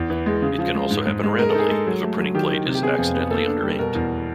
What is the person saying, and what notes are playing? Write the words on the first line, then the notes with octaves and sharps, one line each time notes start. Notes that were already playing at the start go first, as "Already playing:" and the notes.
It can also happen randomly, if a printing plate is accidentally under-inked.
Already playing: E2
E3
G#3
C#3
F3
G#3
G#2
G#2
G#3
G#3 A#4
A4
D#4 G#4
G#3 A4
F#3
A3
F#3
D#3 G4
D#3
C3
G4
B3 G#4
F2
B3
A#3 A4
D4
G3
B2 A#4
E2